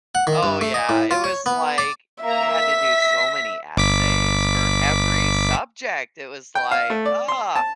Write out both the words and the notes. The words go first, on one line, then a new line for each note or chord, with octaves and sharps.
Oh yeah, it was like, we had to do so many essays for every subject, it was like, oh,
F#5
D#3
G2
A3
D#5
A2
F4
C#5
B3
D5
A#3 E5 A#5
B6
G1 D6 B6
G5
F5
A3
D5
C6
A5